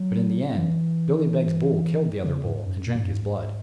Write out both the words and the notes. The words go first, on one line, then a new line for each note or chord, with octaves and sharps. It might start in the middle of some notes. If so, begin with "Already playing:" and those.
But in the end, Billy Beg's bull killed the other bull, and drank his blood.
Already playing: F#3
E3
C#3
G#2
F#2
B2
G#2
F#2
G#2